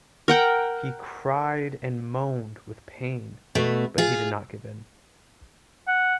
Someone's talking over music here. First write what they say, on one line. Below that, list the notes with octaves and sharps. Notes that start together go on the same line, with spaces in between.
He cried and moaned with pain, but he did not give in.
A#4 F#5 G5
B2 A3
F4 G#4
F#5